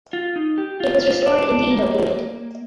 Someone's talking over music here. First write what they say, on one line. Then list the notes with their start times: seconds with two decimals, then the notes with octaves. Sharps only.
It was restored in the Edo period.
0.13 F4
0.36 D#4
0.58 G4
0.80 F4
1.02 F4
1.26 D4
1.48 D4
1.71 A#3